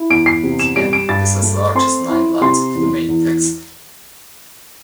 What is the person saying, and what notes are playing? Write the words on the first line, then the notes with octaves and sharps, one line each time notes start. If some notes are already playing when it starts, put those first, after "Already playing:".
The N is as large as nine lines of the main text.
Already playing: E4
E2 D7
C7
C3
E7
G3 D7
D7
G2 A6
A3
C4 C6
E4
C3 C6
E2
E2